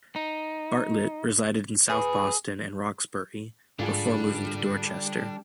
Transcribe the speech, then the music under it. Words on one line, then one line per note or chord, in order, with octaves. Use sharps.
Bartlett resided in South Boston and Roxbury before moving to Dorchester.
D#4
G#4 B4
G#2 D3 G3 D4 F4 G#4